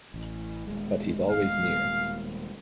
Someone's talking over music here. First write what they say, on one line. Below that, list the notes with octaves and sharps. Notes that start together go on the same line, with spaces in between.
But he's always near.
A1
D#1 G#3
F5